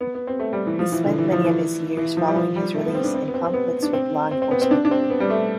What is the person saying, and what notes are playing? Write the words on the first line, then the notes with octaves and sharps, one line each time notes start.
He spent many of his years following his release in conflicts with law enforcement.
B3
B3
C4
A3
G3
E3
F3
E3
D3
E3
F3
E3
E3
F3
G3
F3
G3
A3
B3
C4
D4
C4
B3
C4
C4
B3
D4
C4
C4
C4
B3
C4
D4
D4
C4
B3
G3
A3